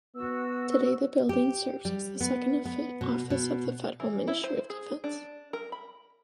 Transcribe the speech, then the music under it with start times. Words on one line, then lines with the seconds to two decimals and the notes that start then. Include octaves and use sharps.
Today the building serves as second office of the Federal Ministry of Defence.
0.15 B3 F#4 E6
1.29 G4
1.85 G3
2.21 B3
2.65 B3
3.01 B2
3.30 B2
4.00 E3
4.28 E4
4.44 C5
4.70 G#4
5.04 D4
5.53 A#4
5.72 B5